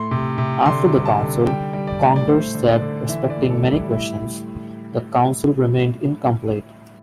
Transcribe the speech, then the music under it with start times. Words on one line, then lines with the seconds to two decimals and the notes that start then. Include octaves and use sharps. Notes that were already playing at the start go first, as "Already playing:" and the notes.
After the council, Congar said respecting many questions, the council remained incomplete.
Already playing: A2 A3 C6
0.11 C3
0.38 C3
0.65 D3 C6
0.92 G3
1.05 A5
1.19 D3
1.46 G3 G5
1.73 G3
1.87 D5
2.01 A2
2.16 D5
2.28 A3 C5
2.55 D3
2.69 D5
2.82 D3
3.09 E3 E5
3.30 D5
3.36 A2
3.50 A4
3.63 G3
3.70 E4
3.90 A2 E4